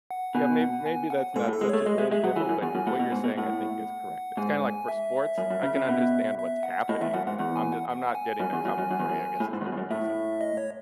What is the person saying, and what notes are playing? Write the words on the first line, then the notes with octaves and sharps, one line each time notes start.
Yeah, may maybe that's not such a great example, but what you're saying, I think, is correct. It's kinda like for sports, I can understand what's happening, I'm d I'm not getting the commentary, I guess, is the one piece I'm missing.
F#5
B2 G#5
F#5
G#5
F#5
G#2 A4
A2
A4
G#3
A3 C#5
G#3 D#5
G#3 E5
G#3 E5
F#3 F#5
E3 G#5
F#2
E2 G#5
F#2
A2 F#5
B2
G#2
B2
A2 F#5
G#2 G#5
E5
F#2
F#2
C#3
C#3
B2
E5
F#5
A2 D#5
E2 E5
F#2 F#5
G#2 F#5
E2 F#5
G#5
F#5
F#5
G#5
F#2
E2
F#2
F#2
F#2
E2
F#2
A2
G#2
E2
F#2
E2
F#2
A2 E5
D#5
C#5